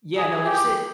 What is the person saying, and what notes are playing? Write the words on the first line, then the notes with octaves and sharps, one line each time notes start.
Yeah, no, there's a
G#4
G4